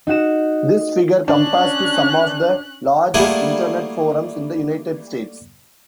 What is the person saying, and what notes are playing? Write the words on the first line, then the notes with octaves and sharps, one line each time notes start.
This figure compares to some of the largest Internet forums in the United States.
D#4 F#4 F#5 E7
C#4 D4 F#6
G3 A3 A#3 E4 F#4 G#4